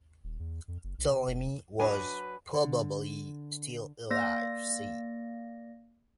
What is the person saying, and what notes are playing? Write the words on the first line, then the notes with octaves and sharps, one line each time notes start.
Ptolemy was probably still alive "c".
D#1
E2
F2
F#1
B1
C3
E1
F#3 D4 B4 D#5 G#5
D3
A#3 D5 A#6